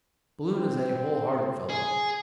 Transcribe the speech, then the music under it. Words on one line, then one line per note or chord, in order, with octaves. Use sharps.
Balloon is a whole-hearted fellow.
C4
G#4